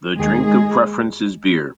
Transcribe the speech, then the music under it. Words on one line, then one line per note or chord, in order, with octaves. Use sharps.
The drink of preference is beer.
D#2 D#3 G#3 G#4
G#3 G#4